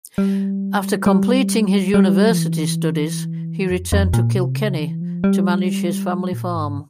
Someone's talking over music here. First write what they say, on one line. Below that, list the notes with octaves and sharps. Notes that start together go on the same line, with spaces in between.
After completing his university studies, he returned to Kilkenny to manage his family farm.
G3
G3
G3
F3
E3
F2
F2
A#2
C3
C#3
E3
F3
G3
A#2
G#2